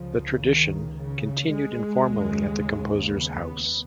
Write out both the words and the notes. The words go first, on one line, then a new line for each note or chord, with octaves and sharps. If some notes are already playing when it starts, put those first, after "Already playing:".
The tradition continued informally at the composer's house.
Already playing: C#2 C#3 F3
D#3
C#3
G#3
D#2 C#3
B3